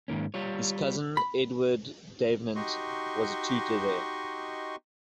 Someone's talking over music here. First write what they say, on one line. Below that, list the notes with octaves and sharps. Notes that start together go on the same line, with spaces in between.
His cousin, Edward Davenant, was a tutor there.
G#2 D#3 A#3 C#4
G3 F4 C#5
B5
D#4 F#4 G4 D#5 C6 C#6